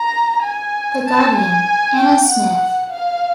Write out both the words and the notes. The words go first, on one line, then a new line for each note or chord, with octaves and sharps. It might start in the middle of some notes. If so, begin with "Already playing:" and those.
The Guardian, Anna Smith.
Already playing: A#5
G#5
A5
G#5
G5
F#5
F5